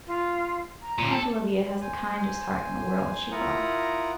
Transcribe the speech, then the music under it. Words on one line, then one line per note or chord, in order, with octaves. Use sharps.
Aunt Olivia has the kindest heart in the world, she thought.
F4
A#5
A#2 C#4
A4
C5 G#5
E4 F4 A#4 F#5 A#5 D#6